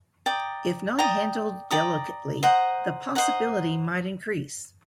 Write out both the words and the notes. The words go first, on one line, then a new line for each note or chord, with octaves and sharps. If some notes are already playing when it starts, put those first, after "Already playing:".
If not handled delicately, the possibility might increase.
D5 G5 A#5 D#6
D5 G5 A#5 D#6
D5 G5 A#5 D#6
C5 D#5 F#5 A#5
C5 D#5 F#5 A#5